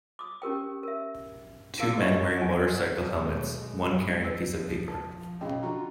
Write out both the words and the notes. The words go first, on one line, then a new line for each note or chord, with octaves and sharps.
Two men wearing motorcycle helmets, one carrying a piece of paper.
D6 D#6
C#4 G4 A#4 G5
A#4 E5
E4 A#4 F5 D6 E6
D#5 C#6
F#5 G#5
B1 G#3 A3 B3
B4 E6
F3
A5
B1 C#3 D#5 G5
D3 F4 F#4 A#5